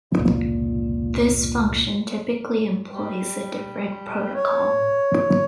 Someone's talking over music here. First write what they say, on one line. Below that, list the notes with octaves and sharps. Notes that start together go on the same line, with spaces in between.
This function typically employs a different protocol.
F1 C#2 A#2
G3
C#5